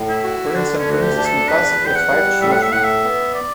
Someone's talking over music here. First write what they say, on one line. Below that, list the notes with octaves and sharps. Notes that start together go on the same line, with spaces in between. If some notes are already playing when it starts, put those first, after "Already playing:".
Prince and Princess Mikasa had five children.
Already playing: A2
E4
F#4
E4
D3 D4
C#4
D2 F#4
G4
D4
A4
E2 B4
E2
G5
F#5
G3
A2 E5
F#5
E5
A2 F#5
E5
B3
D5